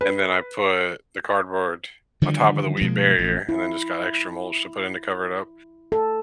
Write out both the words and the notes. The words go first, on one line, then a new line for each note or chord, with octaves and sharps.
and then I put the cardboard on top of the weed barrier and then just got extra mulch to put in to cover it up
B4
D3 D#3 F3 G3
B2 F3 G#3 A#3
A1
E4
A4